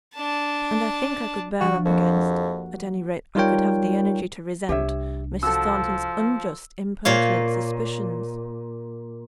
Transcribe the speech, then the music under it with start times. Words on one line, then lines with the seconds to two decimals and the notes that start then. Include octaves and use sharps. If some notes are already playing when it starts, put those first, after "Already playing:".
And I think I could bear up against--at any rate, I could have the energy to resent, Mrs. Thornton's unjust, impertinent suspicions.
0.14 D4 A5
1.61 F3 D4 F#4
1.85 F2 A#3 F#4 G4
3.35 G3 D#4 F4 A#4 C#5 G5
4.69 C2 D4 G4 C#5 E5
5.43 F3 F#4 A4 E6
7.05 A#2 C#5 F5